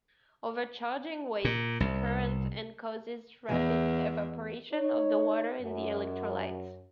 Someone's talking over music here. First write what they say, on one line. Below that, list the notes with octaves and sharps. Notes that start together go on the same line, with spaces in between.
Overcharging wastes current and causes rapid evaporation of the water in the electrolyte.
A#2
C2
E2
D#4 C#5
F#2